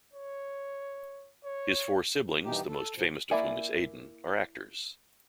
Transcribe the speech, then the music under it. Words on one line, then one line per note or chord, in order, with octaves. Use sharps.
His four siblings, the most famous of whom is Aidan, are actors.
C#5
C#5
G2 B2 D#3 E3 D#4 G4
A4
G#2 B2 F3
A#3 E4 D5 E5 G#5